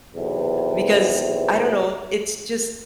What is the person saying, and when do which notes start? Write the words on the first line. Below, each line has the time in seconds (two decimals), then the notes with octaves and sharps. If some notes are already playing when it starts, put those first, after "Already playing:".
Because I don't know, it's just
0.15 B1 E2 C3